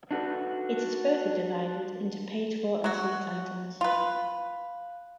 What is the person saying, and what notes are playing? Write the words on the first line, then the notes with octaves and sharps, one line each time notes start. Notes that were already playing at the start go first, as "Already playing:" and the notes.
It is further divided into paid for and free titles.
D4 D#4 F#4 A4 B4 D5
F#3 F#4
F4 B4 F5